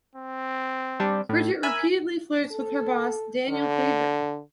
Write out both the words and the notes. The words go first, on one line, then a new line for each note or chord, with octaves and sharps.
Bridget repeatedly flirts with her boss, Daniel Cleaver.
C4
G3 D4
A2
A#4 E5 G#5 B5
A4
D3